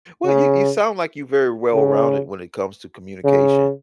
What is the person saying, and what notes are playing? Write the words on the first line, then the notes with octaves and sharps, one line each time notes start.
Well, you you sound like you very well-rounded when it comes to communication.
C#3
C#3
C#3